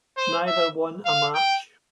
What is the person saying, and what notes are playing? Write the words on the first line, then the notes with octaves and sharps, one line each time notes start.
Neither won a match.
C5
E5
F5
G5